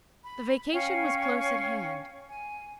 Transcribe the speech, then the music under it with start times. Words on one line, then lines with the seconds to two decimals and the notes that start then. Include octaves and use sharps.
The vacation was close at hand.
0.23 B5
0.72 C#4 F5 G5
2.29 G#5